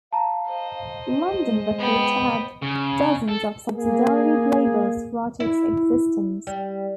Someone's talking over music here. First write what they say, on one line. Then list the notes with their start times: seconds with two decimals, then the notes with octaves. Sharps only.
London Records had dozens of subsidiary labels throughout its existence.
0.13 F5 A5 A#5
0.48 C5 D#5
1.45 G#3
1.79 B3 G5
2.63 C#3
3.29 A4
3.75 A#3 G#4
5.40 E4
6.47 G3